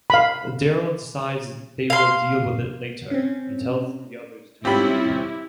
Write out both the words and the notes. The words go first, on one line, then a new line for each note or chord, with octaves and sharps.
Daryl decides they will deal with it later and tells the others to move.
F5 B5
F5 C6
C4 C#4
G3 C4 C#4 E4 F4 G4 B5